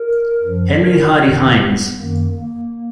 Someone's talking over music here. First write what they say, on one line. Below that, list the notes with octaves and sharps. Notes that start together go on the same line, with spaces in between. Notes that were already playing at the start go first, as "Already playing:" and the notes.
Henry Hardy Heins.
Already playing: A#4
F#2 F3
A#4
F2 D#3 B3
B3
F#2 D#3 A#3
A#3